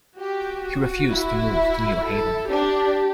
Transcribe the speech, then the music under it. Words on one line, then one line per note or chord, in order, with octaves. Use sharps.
He refused to move to New Haven.
F#4 G4
E4
A4
D4 G4